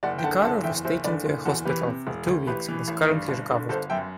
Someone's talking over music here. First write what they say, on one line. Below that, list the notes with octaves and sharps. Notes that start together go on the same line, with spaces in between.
De Caro was taken to a hospital for two weeks and is currently recovered.
F#1 D5 F#5
G5
D3 F#5 A5
F#1 F#5 A5
E2 E5 G5
F#1 C5 E5
D3 B4 D5
F#1
E2 F#4 A4
E3 G4 B4
C3
E1
D2
A1 G4 B4
E3
A1
G2
G1
D3
G1 A4 C5
F#2 E5 G5